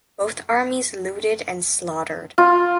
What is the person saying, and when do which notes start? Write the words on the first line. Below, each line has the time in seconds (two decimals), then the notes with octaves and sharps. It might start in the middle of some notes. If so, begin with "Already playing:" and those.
Both armies looted and slaughtered.
2.38 F4